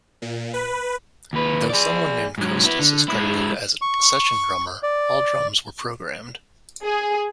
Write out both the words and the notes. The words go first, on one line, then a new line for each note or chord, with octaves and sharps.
Though someone named "Kostas" is credited as a session drummer, all drums were programmed.
A#2
B4
D#2 B4
G#4 D5
G#2 F#3
B3 E4
D3
G#3 E4
C#6
D5
G#4